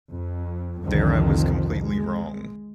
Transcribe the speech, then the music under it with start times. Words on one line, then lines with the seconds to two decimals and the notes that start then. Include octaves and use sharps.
There I was completely wrong.
0.11 F2
0.84 C2 F2 D3 D#3 F3
1.80 G#3